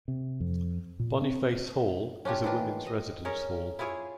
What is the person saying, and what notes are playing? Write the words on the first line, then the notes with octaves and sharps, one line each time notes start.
Boniface Hall is a women's residence hall.
C3
F2
A#2
C4
C#4 D4 F4 G4
D#3 E3 D4 F4
D#5
C#4 G#4 A#4 C#5
E4 F4 G#4 C#5